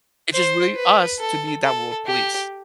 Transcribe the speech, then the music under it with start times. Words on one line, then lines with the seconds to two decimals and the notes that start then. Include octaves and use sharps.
It's just really us to be that world police.
0.33 C5
0.76 B4
1.19 A4
1.63 A4
2.06 G4